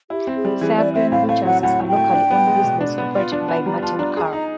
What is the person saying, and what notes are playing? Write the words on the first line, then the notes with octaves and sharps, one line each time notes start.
Fairgreen butchers is a locally owned business operated by Martin Carroll.
E4 G4
C4
G#4
G3
E3 G#4
E4 D5
C4 E5
A2 F5
A3 F5
F#3 F#5
A2 F#5
A2
G5
A3
D4
B3
G#3
B2
D4
B3
F4
D4
A5
B3
G3 A#5
F4 A5
D4 A#5
G#4 A#5
D#4 A#5